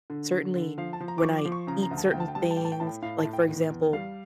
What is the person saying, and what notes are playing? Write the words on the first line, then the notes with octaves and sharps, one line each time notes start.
certainly when I eat certain things, like, for example,
D3
D3
D3
F3 F5
A5
F3
A#5
D6
F3 C#6
D6
F3
C#6
C#3 A#5
A#5
D2
A5
D2 G5
A5
G5
G3 A5
G5
A5
A2 G5
A5
G5
A2 A5
G5
A2 F5
A5
A2
G5
E2
E2
G3 F5